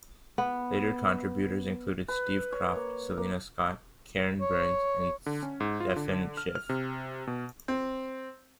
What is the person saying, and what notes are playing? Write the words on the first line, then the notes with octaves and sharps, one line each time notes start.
Later contributors included Steve Kroft, Selina Scott, Karen Burnes and Stephen Schiff.
B3
B4
C#5
A#3
A#3
C#5
D3
C#4
G#2
F4
D3
F6
F6
C3
B2
C4